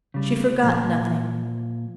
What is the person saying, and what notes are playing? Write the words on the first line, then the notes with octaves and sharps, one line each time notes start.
She forgot nothing.
C#3 G3
A#2 F3